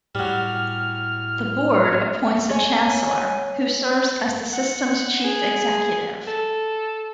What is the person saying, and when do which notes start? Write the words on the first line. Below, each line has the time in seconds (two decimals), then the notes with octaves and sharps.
The Board appoints a Chancellor, who serves as the System's chief executive.
0.15 A2 F#3 G3 F6
2.50 C#5 G#5
4.53 F#5
5.24 G#4
6.27 A4